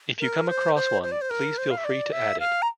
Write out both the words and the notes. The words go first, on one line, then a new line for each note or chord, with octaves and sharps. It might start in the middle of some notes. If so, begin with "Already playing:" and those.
If you come across one, please feel free to add it.
A#4
C5
C5
C5
D5
C5
A#4
C5
F5
E5
D5
E5
F5
A#5